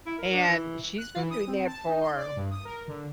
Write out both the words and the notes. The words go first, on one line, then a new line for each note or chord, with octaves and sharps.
And she's been doing that for
E4
A#4
D4
E3
F#6
E3
D#6
C4
A5
D#4
C6
D5
G2
D#6
A#4
D3